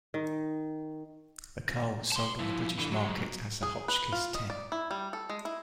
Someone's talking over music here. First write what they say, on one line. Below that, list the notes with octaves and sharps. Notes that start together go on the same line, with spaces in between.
The car was sold on the British market as the Hotchkiss Ten.
D#3
A5 C6
F3 E4
D3 E3
F#3 G#3
G#4
B4
F4
D#5
D5
E4
G3
A4
G#3
E4